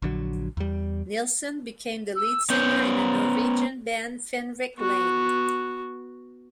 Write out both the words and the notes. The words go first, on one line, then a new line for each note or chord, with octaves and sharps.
Nilsen became the lead singer in the Norwegian band "Fenrik Lane".
A#1 D3 F#3
E2 G3
E6
B3 C#4 G6
A#5
B3 F#4